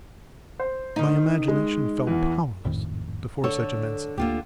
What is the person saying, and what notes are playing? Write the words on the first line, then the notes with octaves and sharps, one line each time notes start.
My imagination fell powerless before such immensity.
C5
D#3 D#4
G#3
E2 E3
G#1 F2 A2 D#3
D3 A4 C#5
D2 D3 A#3 F4 G4